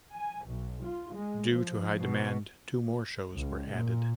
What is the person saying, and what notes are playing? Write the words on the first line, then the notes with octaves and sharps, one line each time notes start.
Due to high demand two more shows were added.
G#5
B1
F4
G#3
F3
B2
C#2
A#2